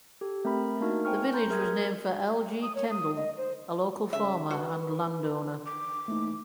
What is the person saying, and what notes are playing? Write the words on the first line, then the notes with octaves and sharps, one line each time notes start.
The village was named for L. G. Kendall, a local farmer and landowner.
G4 A4
A3 C4 A#4 A#5 B5
A3 A#3 D4 D#4 F#4 A#4
C5 G5 G#5 C#6 F6
A#5 C6 G6
G#4 A#4 E5 A#5 D#6 G#6
D#6
C#5
D#6
D#5
C5
C#3 E5
F#4 B4
D6
E3 A3 A#3 D#4